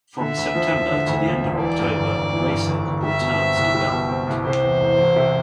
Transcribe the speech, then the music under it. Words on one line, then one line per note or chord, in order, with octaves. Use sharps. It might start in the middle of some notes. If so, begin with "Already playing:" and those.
From September to the end of October racing returns to Belmont.
D3 E5
D2
F3
E1
D3
D2
F3
E1
E3 D5
G2
G1
G1
E3
G2
G1
G1
G3 E5
B2
C4
C2
G3
B2
C4
C2
C3 C5
E2
E1
E1
C3